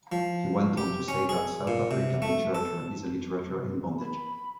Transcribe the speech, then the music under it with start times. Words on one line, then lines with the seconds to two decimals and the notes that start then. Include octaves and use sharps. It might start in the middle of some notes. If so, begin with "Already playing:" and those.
He went on to say that South African literature is a literature in bondage.
0.12 F3
0.77 G4
1.08 C#4
1.29 G#4
1.67 A#2
1.91 C3
2.22 A3
2.55 A4
3.99 B5